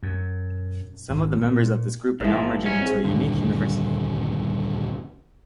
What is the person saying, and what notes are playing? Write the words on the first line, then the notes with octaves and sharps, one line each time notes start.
Some of the members of this group are now merging into a unique university.
F#2
G#1
A#2
A1 G#2 F3 A#3 E4
G#2 F#3 C#4
C4 G#4
D#1 C#2 G2 D3